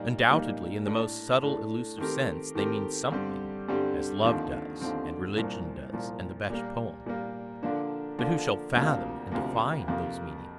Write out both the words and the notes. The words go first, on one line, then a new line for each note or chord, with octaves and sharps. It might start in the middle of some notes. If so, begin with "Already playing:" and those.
Undoubtedly in the most subtle-elusive sense they mean something--as love does, and religion does, and the best poem;--but who shall fathom and define those meanings?
Already playing: A#2 G3 A#3 D#4
A#2 G3 A#3 D#4
A2 A3 D4 A4
A2 A3 D4 A4
D#3 A3 C4 G4 A#4
D#3 A3 C4 G4 A#4
G2 D3 G3 C4 G4
G2 D3 G3 C4 G4
D#2 D3 F3 C4
D#2 D3 F3 C4
C2 A#2 F3
C2 A#2 F3
A#2 G3 A#3
A#2 G3 A#3
D3 F3 A#3 D4
D3 F3 A#3 D4
D2 C3 F3 A#3
D2 C3 F3 A#3
F2 C3 F3 A#3